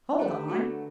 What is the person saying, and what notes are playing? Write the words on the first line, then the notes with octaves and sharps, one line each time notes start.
Hold on!
A3 D4 G4 B4
D3 F#3 A3